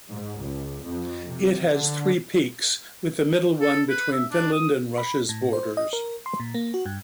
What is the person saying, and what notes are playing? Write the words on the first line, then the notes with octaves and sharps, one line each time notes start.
It has three peaks, with the middle one between Finland and Russia's borders.
G#2
C#2
F2
C3
D3
A4
B4
E5
D4
D#6
B5
A2
C5
D#5
A#4
C6
A#2
A#3
F#4
G2